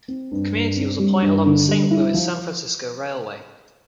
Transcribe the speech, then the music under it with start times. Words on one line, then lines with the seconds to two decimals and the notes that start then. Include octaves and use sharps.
The community was a point along the Saint Louis-San Francisco Railway.
0.08 C4
0.32 G2
0.54 G2
0.77 C4
1.00 G3
1.22 G2
1.46 D3
1.68 G3
1.91 E4
2.14 F3